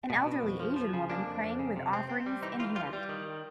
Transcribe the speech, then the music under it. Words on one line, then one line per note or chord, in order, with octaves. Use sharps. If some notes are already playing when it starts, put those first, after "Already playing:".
An elderly Asian woman praying with offerings in hand.
B2
B2
F2
F3
F3
C#3
A#3 D4
F2
F2
C#3
C3
C4
C4
G3
E3 D#4
E3 F4
G3 F4
G3
D#3